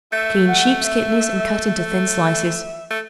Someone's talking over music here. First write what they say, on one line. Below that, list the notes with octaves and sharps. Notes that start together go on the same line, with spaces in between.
Clean sheep's kidneys and cut into thin slices.
A3 E5
F#5
E5
E5
A3